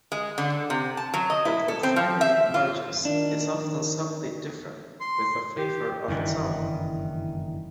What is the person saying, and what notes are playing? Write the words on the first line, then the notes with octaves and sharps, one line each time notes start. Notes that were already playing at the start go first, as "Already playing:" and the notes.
But what finally emerges is often subtly different, with a flavour of its own.
G#3
D3
C3
A5
F#3
D#5
E4
A4
C4
F3
E5
F4
D#3 D4
C6
G4
F#1 G2 D#3 E3